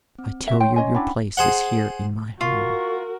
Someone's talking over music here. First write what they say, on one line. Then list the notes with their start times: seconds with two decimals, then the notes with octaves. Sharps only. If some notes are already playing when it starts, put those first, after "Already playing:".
I tell you, your place is here in my home.
0.19 C4
0.47 F#4 E5
0.60 C#5 G5 C6
0.76 C#4 D#5 G#5
0.95 C#4 D4 E4 F#5 G5 B5
1.37 G#4 C5 F#5
2.41 F4 F#4 A#4 C#6